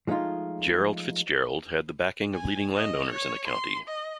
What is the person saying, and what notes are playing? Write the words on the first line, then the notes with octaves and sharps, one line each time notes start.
Gerald Fitzgerald had the backing of leading landowners in the county.
F3 G#3 A3 D#4 F4
G#5
D#5
C#5
C6
D#5